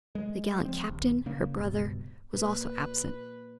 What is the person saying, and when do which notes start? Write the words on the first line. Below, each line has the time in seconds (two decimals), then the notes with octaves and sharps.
The gallant captain, her brother, was also absent.
0.15 G#3
0.65 F3 C4
0.90 A#1 D#2
1.26 C#3 A#3
1.57 C#2 G2 B2
2.33 A#2 B4